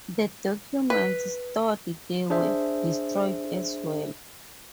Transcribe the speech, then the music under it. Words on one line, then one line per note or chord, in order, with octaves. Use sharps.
The documents stored there were destroyed as well.
B4
D4 G#4 C5 E5